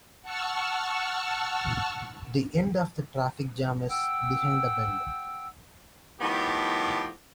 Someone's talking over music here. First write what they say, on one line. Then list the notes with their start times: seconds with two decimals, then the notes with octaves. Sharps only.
The end of the traffic jam is behind a bend.
0.23 F#5 A5 C#6 E6 F6
3.87 F#5 G5 E6
6.20 A2 D#3 F3 B3 G4